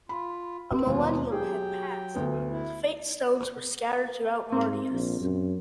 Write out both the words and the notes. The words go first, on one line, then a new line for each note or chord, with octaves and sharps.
A millennium had passed, and the Fatestones were scattered throughout Mardias.
F4 B5
E1 D#2 B3 F4
F#3 G4 G#4 G5
D2 B3
E4
G#2 C4
A#1
F#2